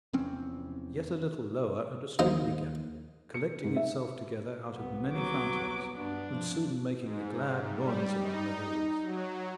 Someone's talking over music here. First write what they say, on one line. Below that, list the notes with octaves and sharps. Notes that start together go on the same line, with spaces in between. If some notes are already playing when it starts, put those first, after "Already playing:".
Yet a little lower and a stream began, collecting itself together out of many fountains, and soon making a glad noise among the hills.
F1 E2 C4 C#4
D#2 D#4 F4 C5
C#7
G#2
E5
C2 B3
F#3 D6
G2 B3 D4
F3
G#2
G3
D#4
F#3